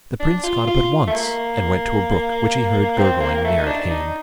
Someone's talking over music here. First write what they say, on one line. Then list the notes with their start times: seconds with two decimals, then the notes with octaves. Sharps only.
The prince got up at once and went to a brook which he heard gurgling near at hand.
0.20 D4
0.44 F4
0.67 F4
1.07 A3
1.12 A#3
2.98 C4
3.21 A#3
3.34 A#3
3.44 A3
3.58 D#4
3.66 D4
3.90 D#4